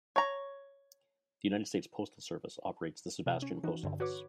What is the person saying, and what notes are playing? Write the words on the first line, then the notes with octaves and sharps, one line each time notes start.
The United States Postal Service operates the Sebastian Post Office.
C#5 A#5
C3
C#4
E3 D#4 F#4
G2 D3
F#4 B4 C#5 D6